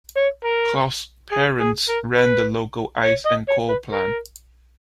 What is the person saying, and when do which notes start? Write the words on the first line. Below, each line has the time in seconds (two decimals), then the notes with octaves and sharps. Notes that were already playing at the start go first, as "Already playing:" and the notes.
Clough's parents ran the local ice and coal plant.
0.17 C#5
0.45 A#4
1.32 G#4
1.60 G#4
1.89 A#4
2.18 B4
3.05 C#5
3.26 D#5
3.49 C#5
3.69 B4
3.91 A#4